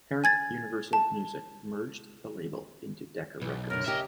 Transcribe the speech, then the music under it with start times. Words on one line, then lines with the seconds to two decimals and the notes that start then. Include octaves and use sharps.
Parent Universal Music merged the label into Decca Records.
0.24 G#5 G#6 A6
0.93 A5
3.41 B1 E3
3.70 F#2 D3 A#4
3.86 C#3 G4 A#4 D#5 E5